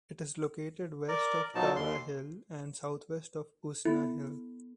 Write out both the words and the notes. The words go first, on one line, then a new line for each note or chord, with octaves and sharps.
It is located west of Tara Hill and southwest of Usna Hill.
A#4 D5
B2 F3 F#3 D#4 A5
D#2 C6
B3 E4 A4